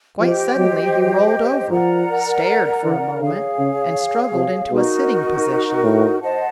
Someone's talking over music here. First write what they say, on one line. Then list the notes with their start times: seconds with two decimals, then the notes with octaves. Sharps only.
Quite suddenly he rolled over, stared for a moment, and struggled into a sitting position.
0.20 F3 G4 C5 D#5 G5
0.57 F#3
0.95 F#3
1.70 F3 A#4 D5 F#5 A#5
2.83 E3
3.20 D3 G#4 C#5 F5
3.59 C#3
4.33 C3
4.71 B2 D#4 F#4 A#4
5.84 A2
6.21 C5 D#5 F#5 A5